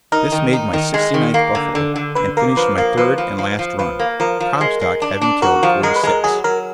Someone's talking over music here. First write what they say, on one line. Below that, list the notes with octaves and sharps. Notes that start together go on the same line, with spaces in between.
This made my sixty-ninth buffalo, and finished my third and last run, Comstock having killed forty-six.
D#4 A#4
D#3
D#4
D#3
G#3
D#3
A#3
D3
D3
D3
D3 B4
A#3 A#4
F3 B4
A#3 A#4
F3 B4
F3
F3
F3
F3 B4
A#3
F3 A#4
F3
G#3
G#3
D4
D4
F#4 A#4
F3
G#3 A#4
B4
G#3 A#4
F#3 G#4
F#3 A#4